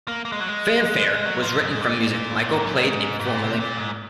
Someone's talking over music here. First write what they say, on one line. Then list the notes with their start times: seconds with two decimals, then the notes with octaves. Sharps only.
"Fanfare" was written from music Michael played informally.
0.08 A#3
0.25 A#3
0.32 G#3
0.40 F#3
0.48 G#3
1.25 F#3
1.42 F3
1.59 F#2
1.70 G#2
1.81 A#2
2.50 G#2
2.59 F#2
2.76 G#2
3.20 G#2
3.26 A#2
3.44 C3
3.60 A#2
3.77 G#2